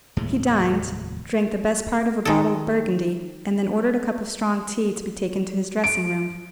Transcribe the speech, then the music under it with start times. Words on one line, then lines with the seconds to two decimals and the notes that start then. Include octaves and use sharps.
He dined, drank the best part of a bottle of Burgundy, and then ordered a cup of strong tea to be taken to his dressing-room.
0.16 F1 D#2 A2 G#3
2.25 D#3 A4
5.84 D7